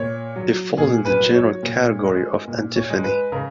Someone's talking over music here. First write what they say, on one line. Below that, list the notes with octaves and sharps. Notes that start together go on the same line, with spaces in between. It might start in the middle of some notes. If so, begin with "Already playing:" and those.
It falls in the general category of antiphony.
Already playing: A#2 C#5
F#3
A#2 G#4
B4
F#3
C#5
A#2
G#3
A#2
C#5
G#3
B4
C#3 A#4